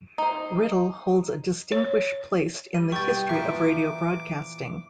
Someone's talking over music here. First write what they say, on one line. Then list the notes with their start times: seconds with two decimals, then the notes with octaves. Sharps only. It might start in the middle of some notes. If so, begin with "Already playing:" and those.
Writtle holds a distinguished place in the history of radio broadcasting.
0.18 D#4 C5
1.72 C#5
2.74 G3 D#7
2.92 G2 B2 E4 G5 C#6 A6
3.29 A#2 E3 F3 E5 C#6 D6